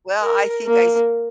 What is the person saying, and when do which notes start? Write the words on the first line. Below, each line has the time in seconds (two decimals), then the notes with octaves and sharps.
Well, I think I s
0.21 A#4
0.66 A#3